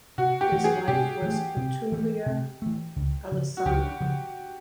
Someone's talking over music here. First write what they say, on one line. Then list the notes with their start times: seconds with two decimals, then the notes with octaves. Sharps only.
His wife was Pitolua Alesana.
0.18 C3 F#4
0.41 G4
0.52 E3 A3
0.64 G#4
0.88 C3 G4
1.22 E3 A3
1.57 C3
1.92 E3 A3
2.26 C3
2.62 E3 A3
2.96 C#2
3.32 C#3 F3
3.57 F#4
3.65 C#2 G4
4.01 C#3 F3